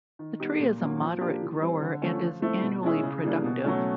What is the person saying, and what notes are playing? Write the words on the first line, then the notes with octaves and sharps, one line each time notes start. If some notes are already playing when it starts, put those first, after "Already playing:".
The tree is a moderate grower and is annually productive.
D#3
G3 B3 D#4 G4
A#2
F#3 A#3 C#4
F3
A#3 D4 G4
E3
G3 C4
D3
F3 A3 C#4
F3
A3 C4 E4
B2
G#3 C#4 E4 G#4
C#3
E3 G3 A#3 D4
B2
F#3 A3 C#4